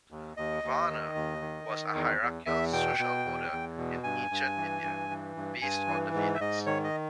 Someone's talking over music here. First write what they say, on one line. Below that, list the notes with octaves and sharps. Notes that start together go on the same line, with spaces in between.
Varna was a hierarchical social order in ancient India, based on the Vedas.
D#2
D#2 D#5
D#2
D#3
D#2
D#3
D#3
E2
E2
E2 E5
B2 G5
B2
E2
E2
B2
G2 G#5
G2
E3
G2
E3
G2
G2 G#5
E3
G#2
E5
G#2 D#5
D#3 C#5
D#5